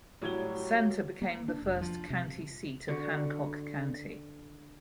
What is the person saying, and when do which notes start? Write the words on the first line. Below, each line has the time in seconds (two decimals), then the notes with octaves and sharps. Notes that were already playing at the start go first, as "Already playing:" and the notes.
Center became the first county seat of Hancock County.
0.22 A2 F#3 G3 G#6 G7
1.22 A#3
1.48 D4
1.62 F1
1.81 F3
2.10 C3
2.88 D3 F#4